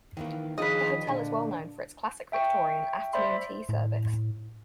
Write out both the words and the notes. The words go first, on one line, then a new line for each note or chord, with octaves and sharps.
The hotel is well known for its classic Victorian afternoon tea service.
D#3 E3 A#3
D#3 F3 D4 G#4 B4 D#5
A#2 D3 D4
E5 G5 C#6
C5 D5 E5 B5 C6
A2